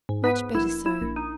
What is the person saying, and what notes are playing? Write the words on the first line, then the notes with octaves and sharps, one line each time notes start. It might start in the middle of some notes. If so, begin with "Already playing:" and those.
'Much better so.
G#2
B3 B4
A#1 E4
E4
A#1
D#4